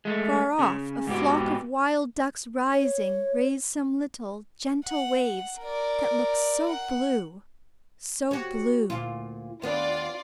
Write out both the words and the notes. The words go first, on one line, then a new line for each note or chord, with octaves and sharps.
Far off a flock of wild ducks rising raise some little, gentle waves, that look so blue, so blue!
G#3 A3
C#3
G#2 B2 G4
C#5
F#5
A#4 D5
F#5
F#4 G4 C#5
D2 A#2 F4
D#2 B3 D4 F4 D5